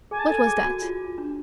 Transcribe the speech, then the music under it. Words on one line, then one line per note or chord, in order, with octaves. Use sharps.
What was that?
G#4 G#5
A5
A4 G#5
G#4
F#4
F4
D4